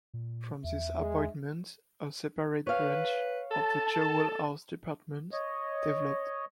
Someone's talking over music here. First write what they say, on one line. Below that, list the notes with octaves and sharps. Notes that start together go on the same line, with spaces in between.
From this appointment, a separate branch of the Jewel House Department developed.
A#2
E2 E5
G#3
B4 C#5 F5
A4 A5
C#5 D#5